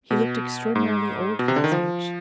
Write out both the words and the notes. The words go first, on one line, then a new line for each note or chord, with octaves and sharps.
He looked extraordinarily old for his age.
B2
G#2
B2
C3
D3
D#3
F3